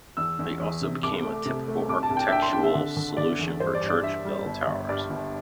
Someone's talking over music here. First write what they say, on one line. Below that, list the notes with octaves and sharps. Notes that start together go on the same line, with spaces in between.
They also became a typical architectural solution for church bell towers.
E2 E6
E2
E2
C3
C2 D6
A3
C3
A3
C2 D6
A5
C2
G5
E5
D4 G5
C6
D4 G5
E5
D3
D3
D3 D5
E2
G2 C5
D5
G2
D5
D4 E5
G3
G1
G1
G2 D5
G1